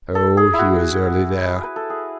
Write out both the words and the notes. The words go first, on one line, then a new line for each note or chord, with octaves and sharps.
Oh, he was early there.
A4
G#4
E4
F#4
B4
A4
G#4